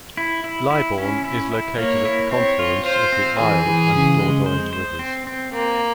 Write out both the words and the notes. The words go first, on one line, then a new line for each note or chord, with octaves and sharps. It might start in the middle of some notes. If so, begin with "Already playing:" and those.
Libourne is located at the confluence of the Isle and Dordogne rivers.
E4
E4
E4
C#4
E4
E4
A#3 C#5
E4
C4 C#5
F4
F4 C5
C4
E3 G#4
E3
C#3
G#3
C5
C5
C4
C4
A#3 C4